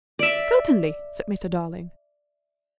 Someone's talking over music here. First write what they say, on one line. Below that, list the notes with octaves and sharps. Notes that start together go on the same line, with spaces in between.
"Certainly," said Mr. Darling.
D5 E5